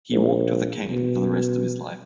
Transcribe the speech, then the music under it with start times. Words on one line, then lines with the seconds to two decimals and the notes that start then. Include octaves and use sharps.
He walked with a cane for the rest of his life.
0.12 A#1
0.91 B2